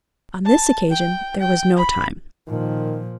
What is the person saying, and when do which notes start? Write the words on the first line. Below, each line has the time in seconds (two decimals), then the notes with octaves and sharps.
On this occasion there was no time.
0.46 A5
0.91 G5
1.40 G5
1.77 B5
2.48 A#2 D#3 F3